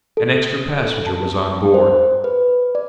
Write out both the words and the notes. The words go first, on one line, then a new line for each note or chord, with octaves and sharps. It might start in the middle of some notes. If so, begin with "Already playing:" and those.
An extra passenger was on board.
A4
A5
C5
B4
D5